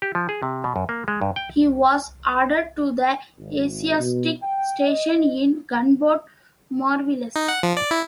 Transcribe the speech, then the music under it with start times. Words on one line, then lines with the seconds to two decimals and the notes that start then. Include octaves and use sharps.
He was ordered to the Asiatic Station in gunboat "Mariveles".
0.02 G4
0.15 F3
0.29 G#4
0.43 C3
0.64 B2
0.76 F#2
0.89 A#3
1.08 G#3
1.21 G2
1.36 G5
3.39 G#1
3.99 B2
4.42 G5
4.87 D#5
7.36 D#4
7.48 F#5
7.63 F3
7.77 D5
7.91 E4